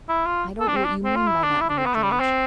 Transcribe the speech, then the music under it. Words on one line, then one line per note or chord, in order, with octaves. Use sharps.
"I don't know what you mean by that, Lord George."
E4
F4
A4
D4
C4
D4
C4
F4
E4
D4
E4
D4
C4
B3
A3
G3
B3
C4